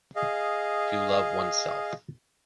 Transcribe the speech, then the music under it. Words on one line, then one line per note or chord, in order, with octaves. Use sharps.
To love oneself.
G#4 D#5 F5